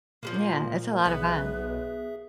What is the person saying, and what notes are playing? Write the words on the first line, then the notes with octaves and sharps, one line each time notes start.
Yeah, it's a lot of fun.
A#2 F3 G#3 A#3
B1 B3 G#4 B4 E5